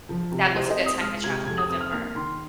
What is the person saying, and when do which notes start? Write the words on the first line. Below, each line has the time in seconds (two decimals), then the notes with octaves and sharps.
That was a good time to travel, November.
0.09 F3
0.32 C3
0.55 C2 C5
0.70 D#5
0.78 C4
0.86 D#6
1.01 G#3 F6
1.24 C3 G#6
1.47 F2 G#6
1.58 D#6
1.70 C4 D#6
1.80 F6
1.92 A#3 F6
2.15 D#3 C6